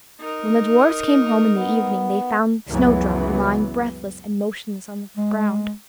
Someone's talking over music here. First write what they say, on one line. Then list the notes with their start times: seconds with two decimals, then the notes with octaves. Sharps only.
When the dwarfs came home in the evening, they found Snowdrop lying breathless and motionless on the ground.
0.21 D#4 A#4
1.55 B3
2.67 C#2 F#2 C#3 E3 F#3 B3
5.17 G#3